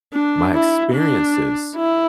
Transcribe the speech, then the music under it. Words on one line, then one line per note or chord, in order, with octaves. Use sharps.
my experiences
D4
E4
D4
E4